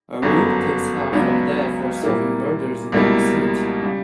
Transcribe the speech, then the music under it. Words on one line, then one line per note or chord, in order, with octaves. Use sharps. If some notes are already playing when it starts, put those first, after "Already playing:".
Arup takes help from Dev for solving murders in the vicinity.
G1 F#2 D3 F#3 B3
C#2 C#3 F#3 B3 D4
A#2 G3 A#3 E4
C#2 B2 G3 A#3 E4
C#3 G3